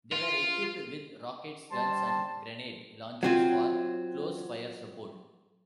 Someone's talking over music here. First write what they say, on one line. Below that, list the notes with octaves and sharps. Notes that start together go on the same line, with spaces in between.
They were equipped with rockets, guns, and grenade launchers for close fire support.
F4
G3 C5 A5
F#3 C4 F4